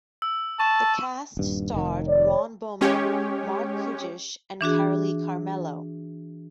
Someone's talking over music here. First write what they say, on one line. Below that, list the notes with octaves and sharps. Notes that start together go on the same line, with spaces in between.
The cast starred Ron Bohmer, Marc Kudisch and Carolee Carmello.
E6
A5 C#6 E7
D#1 G2
F1 D#3
C#5 D5
G#3 C#4 G4 C#5
E3 D4 F#4 G#4